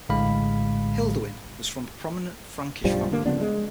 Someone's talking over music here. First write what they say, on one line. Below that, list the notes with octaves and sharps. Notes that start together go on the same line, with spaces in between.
Hilduin was from a prominent Frankish family.
A#1 A2 D3 G#3 F5 B5
B1 G2 F3 G3
D3 A#3
C#3 F3 B3 D4
G#3